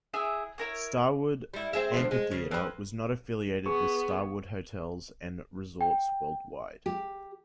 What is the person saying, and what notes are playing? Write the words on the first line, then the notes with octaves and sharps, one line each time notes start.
Starwood Amphitheatre was not affiliated with Starwood Hotels and Resorts Worldwide.
E4 G#4 E5
E4 A#4 C#5
G3 E4
C4 G#4 E5
D2 F3
G#3
C#3
F2 B4
B3 G#4 C#6
G5
G4